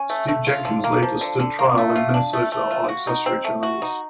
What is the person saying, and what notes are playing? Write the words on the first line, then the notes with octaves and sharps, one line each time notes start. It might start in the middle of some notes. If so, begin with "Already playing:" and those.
Steve Jenkins later stood trial in Minnesota on accessory charges.
Already playing: C#4
A3
A3
F4
D3
A#3
F3
D3
D3
A#3
A3
F4
D4
A3
A3
F4
F#4
D#4
C4
A3
F#4
D#4